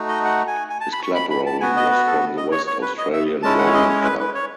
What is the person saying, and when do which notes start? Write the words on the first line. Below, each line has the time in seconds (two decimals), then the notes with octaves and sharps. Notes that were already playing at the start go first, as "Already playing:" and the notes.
His club rowing was from the West Australian Rowing Club.
Already playing: A3 D#4 F#4
0.08 D#5
0.25 F#5
0.48 G#5
0.70 G#5
0.81 A5
0.93 B5
1.03 C#6
1.15 B5
1.30 B5
1.46 A5
1.61 B3 F#4 G#5
1.77 D#5
1.91 B4
2.07 A4
2.37 D#5
2.52 C#5
2.67 C#5
2.82 B4
2.98 D#5
3.13 E5
3.43 G#3 C#4 E4 A5
3.59 F#5
3.66 C#5
3.74 D#5
3.89 C#5
4.04 B4
4.20 B4
4.35 C#5